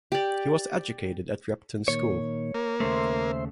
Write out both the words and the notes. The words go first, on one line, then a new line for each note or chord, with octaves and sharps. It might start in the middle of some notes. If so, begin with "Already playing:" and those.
He was educated at Repton School.
G4 D5
A#2 D#3 A#3 C#5
A#3
D#2 C#3 A3 C5 E5 C6